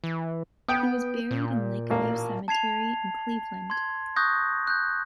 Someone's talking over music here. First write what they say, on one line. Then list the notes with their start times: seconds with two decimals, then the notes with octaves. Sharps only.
He was buried in Lake View Cemetery in Cleveland.
0.04 E3
0.68 B3 G5 D#6
1.31 A#2
1.90 A1 A#3
2.48 A5 G#6 C7 F7
3.70 C6 G#6
4.16 C#6 D#6 F#6 G6 A#6
4.67 F#6 G6